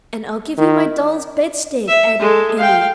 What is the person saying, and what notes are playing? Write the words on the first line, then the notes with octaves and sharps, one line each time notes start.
"And I'll give you my doll's bedstead," added Emmy.
D#3
E5
G#3 A4
F5 G5